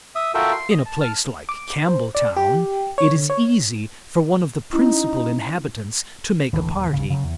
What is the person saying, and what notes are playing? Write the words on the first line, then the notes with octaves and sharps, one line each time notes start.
In a place like Campbelltown, it is easy for one of the principal inhabitants to make a party.
E5 D#6
F4 F#4 A4 A#4 E5 G5
C6
D#5
A5
A5 F6
D6
C5
D5
G4
C#5
D3
C#5
C#4 D#4 E4
G#1 D2 A2 E3
D#1
D1 G1 C#3
C#3 F#3
E2